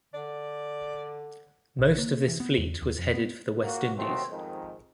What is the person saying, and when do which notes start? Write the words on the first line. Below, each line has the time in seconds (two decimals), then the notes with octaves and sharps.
Most of this fleet was headed for the West Indies.
0.14 D3 D5
1.79 A#1
1.98 A#3
2.28 E3
2.40 B3
2.57 E2
2.82 D#2
2.98 F2
3.14 B3
3.63 A#3 F#4
3.96 D#2 D#3 F#3 A3 B3 C4
4.30 F2 G#2 D#3